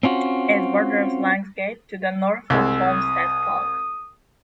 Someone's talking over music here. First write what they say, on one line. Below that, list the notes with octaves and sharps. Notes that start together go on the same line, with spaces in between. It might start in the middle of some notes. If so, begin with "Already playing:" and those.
It borders Langlaagte to the north and Homestead Park.
C4 C#4 F4 F#4
C2 G#3 E6
D#6